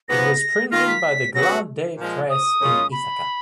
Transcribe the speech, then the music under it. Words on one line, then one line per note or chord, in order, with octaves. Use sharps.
It was printed by the Glad Day Press in Ithaca.
G#2 F3 B3 A#6
D#3 A#3 F4 A#6
B6
C#3 F#3 B3 F#4 A#6
A#2 F3 G#3
D#6
F#2 C#3 G#3 C#4 F4
B5